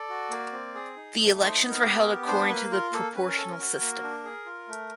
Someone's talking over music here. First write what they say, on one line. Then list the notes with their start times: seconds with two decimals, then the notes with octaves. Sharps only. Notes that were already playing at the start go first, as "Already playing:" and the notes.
The elections were held according to the proportional system.
Already playing: A4 D5
0.09 F#4
0.30 A#3
0.52 C4
0.75 G#4
0.96 D#4
1.18 A3
1.40 D#4 C5
1.62 B3
1.70 A#4
1.84 G4 B4
1.99 A#4
2.06 B3
2.27 D4 C5
2.50 A#3 B4
2.72 F4 A#4
2.93 A#3 A4
3.15 C#4 B4
3.27 A#4
3.37 A4
3.52 A#4
3.59 F#4
3.81 A#3
4.03 D4
4.24 G#4
4.46 F4
4.68 A3